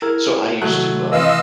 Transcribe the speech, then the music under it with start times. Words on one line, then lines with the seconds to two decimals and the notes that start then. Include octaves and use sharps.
So I used to, um
0.02 E4 G#4 A#4
0.62 C3 D#3 F#3 A3 F#6
1.12 E3 A3 C4 D#5 F5 E6